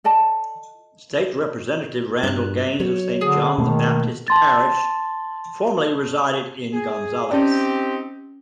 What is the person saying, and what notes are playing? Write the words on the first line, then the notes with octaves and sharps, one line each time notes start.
State Representative Randal Gaines of Saint John the Baptist Parish, formerly resided in Gonzales.
A4 D5 D#5 A5
G2 F#6 G6
F#3 C#5
D3 G#4
B2 D#3 A3 A#3
A5 C6 A6
G#4
C4 C#4 D#4 G4 D5